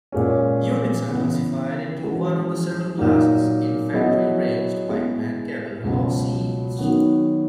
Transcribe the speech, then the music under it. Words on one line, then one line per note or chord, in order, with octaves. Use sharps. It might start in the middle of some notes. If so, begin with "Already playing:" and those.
Units are classified into one of several classes: infantry, ranged, pikemen, cavalry, or siege.
A#2 G#3 C#4
C#3 E3 B3
E3 G#3 C#4 F#4
A#2 F#3 A#3 D#4
F#3 B3 E4 G#4 D#5
G#3 B3 E4
C#2 B2 F#3
D#3 F#3 B3 F#4